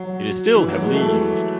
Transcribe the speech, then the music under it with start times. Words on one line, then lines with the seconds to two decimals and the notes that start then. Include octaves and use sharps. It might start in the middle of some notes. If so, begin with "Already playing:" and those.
It is still heavily used.
Already playing: F#3
0.55 E3
0.69 F#3
0.82 G#3
0.95 A3